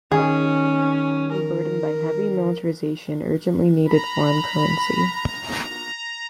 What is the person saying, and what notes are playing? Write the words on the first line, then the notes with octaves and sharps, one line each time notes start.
The German economy-burdened by heavy militarisation-urgently needed foreign currency.
D#3 C#4 G#4
A#4
A#5 B5